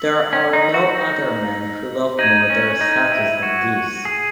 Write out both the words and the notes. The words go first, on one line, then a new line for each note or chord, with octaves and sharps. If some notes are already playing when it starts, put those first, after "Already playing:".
There are no other men who love more their status than these.
Already playing: E6 B6 F#7
C#4
D#4
F#4
D#4
D#4 G#6 D#7 F#7
C#4
D#4
E4
F#4
G#4